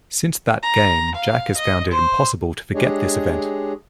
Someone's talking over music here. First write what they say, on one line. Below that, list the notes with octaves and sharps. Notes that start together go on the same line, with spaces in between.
Since that game, Jack has found it impossible to forget this event.
A#5
F5
D#5
C5
G#3 D4 G4 G#4 C#5 D#5